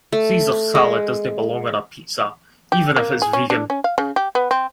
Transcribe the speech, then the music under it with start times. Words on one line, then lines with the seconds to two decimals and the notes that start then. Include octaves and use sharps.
Caesar salad does not belong on a pizza even it it is vegan.
0.12 A3
0.75 G#3
2.72 G4
2.96 A#3
3.22 G#4
3.33 C#4
3.50 D4
3.70 C#4
3.84 F5
3.98 C#3
4.16 G4
4.35 B3
4.51 C4